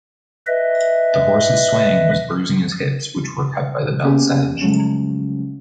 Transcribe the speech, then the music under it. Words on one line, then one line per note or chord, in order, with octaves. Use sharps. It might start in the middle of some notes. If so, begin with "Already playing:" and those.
The horse’s swaying was bruising his hips, which were cut by the belt’s edge.
B4 D#5 E5
A#3 B3 C#4 G4 G#4
C#3 F3 F#3 G#3 A3 C#4